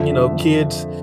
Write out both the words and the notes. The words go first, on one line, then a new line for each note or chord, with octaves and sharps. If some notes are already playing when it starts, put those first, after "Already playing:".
you know, kids
Already playing: F2 D3 F3 E5
D3 F3